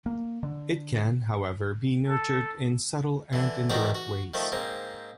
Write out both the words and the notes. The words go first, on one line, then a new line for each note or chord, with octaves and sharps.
It can, however, be nurtured in subtle and indirect ways.
A#3
D3
A4
D3 E3
E2 G#2 D#3 F#4 D5 A#5
F#4
D#3 F3 A3
G#2 A#3 C4